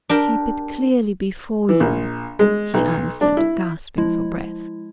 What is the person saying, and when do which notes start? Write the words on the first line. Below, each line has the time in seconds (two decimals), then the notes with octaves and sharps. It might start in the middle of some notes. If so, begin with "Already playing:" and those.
"Keep it clearly before you," he answered, gasping for breath.
0.09 D4 G4 A#4
1.69 E3
1.80 A#1
2.39 G#3
2.74 B1
3.21 D4
3.37 E4
3.98 F3 G#3 E4